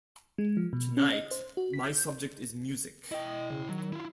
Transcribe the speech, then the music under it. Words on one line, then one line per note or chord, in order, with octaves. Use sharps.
Tonight, my subject is music.
G#3
F3
B2
C#4
D#5
C5
F#4
B6
G6
E4 D#5 G5
C#3
D#3 F#3
E4 F4